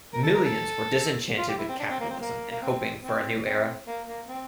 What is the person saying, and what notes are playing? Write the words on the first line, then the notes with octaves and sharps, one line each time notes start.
Millions were disenchanted with capitalism and hoping for a new era.
A#4
A4
A#4
A4
F4
G4
E4
C4
D4
C4
A#3
C4
A#3
A#3
C4
C4
C4
A#3
A#3
C4